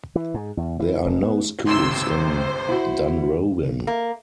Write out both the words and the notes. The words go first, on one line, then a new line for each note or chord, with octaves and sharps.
There are no schools in Dunrobin.
E3
G#2
E2
E3
F1
B3
G1 C#2 C3 C6 E6
C5
E4 F#4
A#3